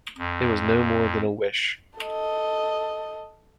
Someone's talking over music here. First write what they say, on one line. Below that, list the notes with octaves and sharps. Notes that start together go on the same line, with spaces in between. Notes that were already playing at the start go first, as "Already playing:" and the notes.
It was no more than a wish.
F2
A4 D#5